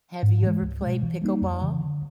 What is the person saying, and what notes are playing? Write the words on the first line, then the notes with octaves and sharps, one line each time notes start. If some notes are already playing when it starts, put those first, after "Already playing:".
Have you ever played pickleball?
G#2
E3 G#3
C#2
B2 G#3
E3
G3 A#3 D#4
F2
C#3 E3
D3